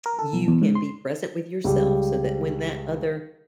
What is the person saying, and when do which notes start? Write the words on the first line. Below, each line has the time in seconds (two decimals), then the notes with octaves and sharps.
you can be present with yourself so that when that other
0.06 A#4
0.19 A4
0.33 B1
0.48 E2
0.62 G#2
0.75 C6
1.64 C#2 G3